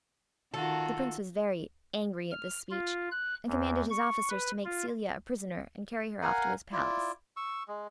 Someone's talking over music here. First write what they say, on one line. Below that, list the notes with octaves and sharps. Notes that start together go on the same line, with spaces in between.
The Prince was very angry at this speech, and commanded his officers to make Celia a prisoner and carry her off to his palace.
D#3 F4 F#4 A4
F6
F4
F#6
E2
C#6
B4
F4
A#4 F5 F#5 G#5
E4 F4 D5
C#6 E6
G#3